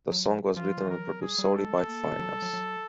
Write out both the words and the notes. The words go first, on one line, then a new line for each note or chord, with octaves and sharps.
The song was written and produced solely by Finneas.
F#3
F3 F4
E3
A#4
F#3
G3 G#4
G3
G#3 A4
A3
A#3
F#3
G3
F#3
F#3